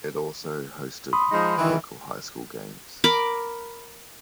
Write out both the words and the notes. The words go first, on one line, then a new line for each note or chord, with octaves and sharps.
It also hosted local high school games.
B5 C6 D#6
F3 G#3 D#4
D#3 E3
A#4 B5 D6